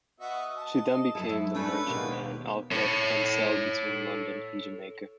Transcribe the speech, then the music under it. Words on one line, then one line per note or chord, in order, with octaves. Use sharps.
She then became the merchantman "Alfred", and sailed between London and Jamaica.
B3 F#4 D#5 E5
A5
F#2 E4 A4
A3 C#4 D4 B4
D#2 B2 G#3 A#3 G4
A4 C#5